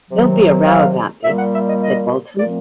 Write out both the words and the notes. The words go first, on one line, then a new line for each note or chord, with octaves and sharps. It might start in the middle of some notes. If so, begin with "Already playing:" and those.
"There'll be a row about this," said Walton.
C3 D#3 F#3
F5
A#2 G3 A#3 E5
F#5
E5
D#5
D#5
A#2 F3 A3 C4 D5